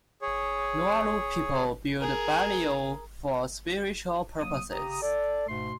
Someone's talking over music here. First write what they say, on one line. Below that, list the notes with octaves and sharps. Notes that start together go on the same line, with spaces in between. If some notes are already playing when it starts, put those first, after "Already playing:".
Nualu people build Baileo for spiritual purposes.
G#4 C#5
G#4 A#4
F#3 A#3 D#6
C#3 G4 A#5 D#6
A4 D5
G#2 B2 A3 C6